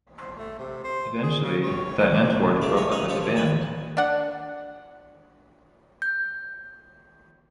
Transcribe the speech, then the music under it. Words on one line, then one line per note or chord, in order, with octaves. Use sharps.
Eventually, Die Antwort broke up as a band.
C5
A3
C3
C5
G#4
C#3
C#5
A3
D4
C#3 G#3 A3 D6
C#5 D#5 E5
B3 C#4 D#4 D#5 F5 G#5
G4 A4 C5 C#5
A#2
B4 G5 G#5
D4 F#5
G6